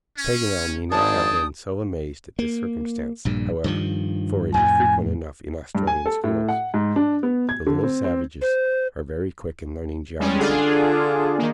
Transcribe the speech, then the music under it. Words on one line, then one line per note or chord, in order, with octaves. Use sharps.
Paganel need not have been so amazed at this circumstance, however, for it is frequent enough in Australian schools. The little savages are very quick in learning geography.
C#4
G#1 D4 G#4 G5 A5 D#6
A#3
A#1 G2 A#2
G2 D#3 F3
F2 A2 G#5
G2
G#5
A4
A2
F#5
G#2
D4
B3
G#6
D3
C4
C4
C5
G3 G#3 C#4
D3 D4 F4 G#4
D#3 A#3